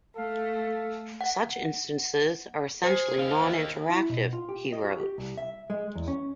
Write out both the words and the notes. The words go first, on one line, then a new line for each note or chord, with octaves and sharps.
"Such instances are essentially noninteractive", he wrote.
A3 A4 F5
F#5
G#4 C5
D#3 F5
E4
B2
F4
G4
D#5
F#4
G4
C2
E5
G#3
E2
C#4